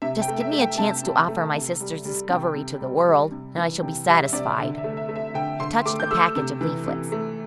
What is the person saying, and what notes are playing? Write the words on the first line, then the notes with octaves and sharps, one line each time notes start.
"Just give me a chance to offer my sister's discovery to the world, and I shall be satisfied!" He touched the package of leaflets.
C3 E5
G5
A3
E5
A3
G5
C3 A5
C3
A3
C3
G3
G3
C3 G5
C3
G3
G3
C3
E3
C3 G5
G3 E5
C3 D5
D3 E5
E5
A3
E5
A3
E5
D3 G5
D3 C6
A3 D6
G6
A3 E6
C3
E3
C3
A3